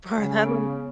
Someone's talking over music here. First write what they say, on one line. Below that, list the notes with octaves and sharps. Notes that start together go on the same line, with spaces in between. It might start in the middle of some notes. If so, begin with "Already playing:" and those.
For that long
C#3 G#3
B3